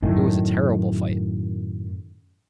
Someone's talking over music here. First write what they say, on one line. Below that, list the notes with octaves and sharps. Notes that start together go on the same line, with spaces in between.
It was a terrible fight!
F#2 A2 D#3